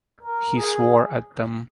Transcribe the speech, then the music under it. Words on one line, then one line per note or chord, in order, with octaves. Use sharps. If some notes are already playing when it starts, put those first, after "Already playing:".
He swore at them.
A#4
G#4